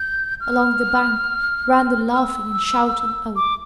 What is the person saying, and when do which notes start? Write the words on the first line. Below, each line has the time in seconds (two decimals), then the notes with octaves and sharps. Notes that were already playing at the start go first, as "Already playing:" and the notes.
Along the bank ran the laughing and shouting Oak.
Already playing: G6
0.41 F6
2.13 F6
2.18 E6
3.36 D6